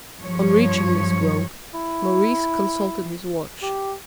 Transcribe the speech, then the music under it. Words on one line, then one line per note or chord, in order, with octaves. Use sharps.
On reaching this grove, Maurice consulted his watch.
G2 F3 C#5
E4
G4